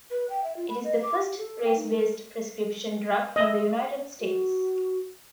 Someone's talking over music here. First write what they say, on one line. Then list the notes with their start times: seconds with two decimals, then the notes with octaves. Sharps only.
It is the first race-based prescription drug in the United States.
0.11 B4
0.30 G5
0.44 E5
0.57 F4
0.69 B5
0.84 D#5
1.03 D6
1.20 G4
1.38 A4
1.65 G5
1.77 D#4
1.92 A#4
3.36 D#5 E5
4.21 F#4